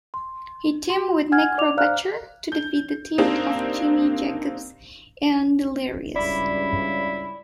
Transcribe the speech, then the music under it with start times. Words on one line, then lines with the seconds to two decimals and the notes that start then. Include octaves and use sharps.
He teamed with Necro Butcher to defeat the team of Jimmy Jacobs and Delirious.
0.14 C6
0.89 F#4 C6
1.32 F#5 G#5 F6 G#6
1.58 D5 D6 F7
1.77 C5 D5 F5 A#5 F6 F#6
2.52 G6
3.18 A#3 C4 D4 D#4 G4
6.16 C#2 G2 C#3 E4 D5 B5